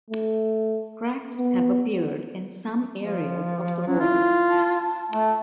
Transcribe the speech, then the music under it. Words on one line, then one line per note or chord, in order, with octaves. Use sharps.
Cracks have appeared in some areas of the walls.
A3
B3
F3
F#3 C#4
E4 F4
A5
A3 A5